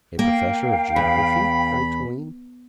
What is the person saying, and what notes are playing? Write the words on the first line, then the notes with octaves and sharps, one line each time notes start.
"A professor of geography!" cried Toline.
A#3 F5 G5
E2 B5